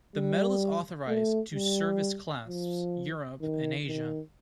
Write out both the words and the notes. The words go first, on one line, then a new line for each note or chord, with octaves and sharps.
The medal is authorized two service clasps: "Europe" and "Asia".
G3
A3
G3
F3
D#3
D#3